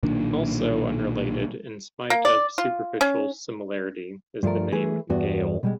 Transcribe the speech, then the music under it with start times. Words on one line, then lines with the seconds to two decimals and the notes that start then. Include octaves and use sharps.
Also unrelated in spite of superficial similarity is the name "Gael".
0.03 B1 A#2 D#3 D4
2.10 A#3
2.25 D5
2.58 F4
3.01 C#4
4.43 G2 F3 A3 A#4
4.72 E3 A3 G#4 B4
5.10 E2 G2 B3 F#4
5.63 B2 G3 G#3